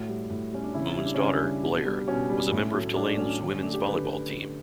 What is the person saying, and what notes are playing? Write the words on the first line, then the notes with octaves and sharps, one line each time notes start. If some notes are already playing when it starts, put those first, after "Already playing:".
Moon's daughter, Blair, was a member of Tulane's women's volleyball team.
Already playing: A2 F#4
G3
A2
G3 C#4
D4
C#3 E4
G3 E4
D4
C#4
C#3 D4
G3
B2
G3
B2 C#4
G3
A2
F#3 A3
A2 D4
D4
F#3 A3 C#4
D4
D3 C#4
C#4
A3 D4
G4
D3 B4